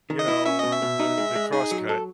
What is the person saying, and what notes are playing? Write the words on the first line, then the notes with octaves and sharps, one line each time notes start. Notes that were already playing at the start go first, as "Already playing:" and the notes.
you know, the the crosscut,
D#3
D#5
E4
C#4 E5
B2 D#5
E5
B2
D#4
G#3
G#3
D#4 G#4
F#3
A4